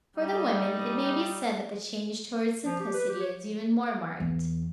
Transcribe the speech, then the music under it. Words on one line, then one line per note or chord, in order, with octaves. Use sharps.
For the women, it may be said that the change towards simplicity is even more marked.
G3 D#4
F3
G4
B4
G4
C#5
E2